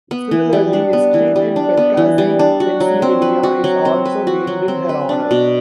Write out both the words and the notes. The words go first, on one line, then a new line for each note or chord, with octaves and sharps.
Similarly, a street in Perkasie, Pennsylvania, is also named in her honor.
B3
E3
G3
D4
B3
E3
G3
D4
B3
E3
G3
D4
F#4
F#3
C4
B4
F#4
F#3
C4
B4
F#4
F#3
C4
B4
D4
B2